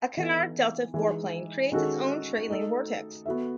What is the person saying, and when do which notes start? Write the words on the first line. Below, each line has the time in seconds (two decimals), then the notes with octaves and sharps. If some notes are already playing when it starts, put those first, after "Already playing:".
A canard delta foreplane creates its own trailing vortex.
0.17 E3 B3 D#4 A4
0.94 E3 G#3 D#4
1.72 D#3 G#3 C#4 F#4 A4
2.48 A3 D#4 A4
3.26 B3 F#4 A4 E5